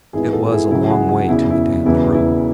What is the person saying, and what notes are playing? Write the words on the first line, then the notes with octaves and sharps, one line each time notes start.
It was a long way to Madame's room.
G#1 G#2 E3 B3 E4 G#4
F#4 A4
E4 G#4
C#2 C#3 F#3 E4 G#4
G#4
F#4
F#4
E1 E2 C#3 E4
E4
E1 E2 C#3 E3 B3 E4
E4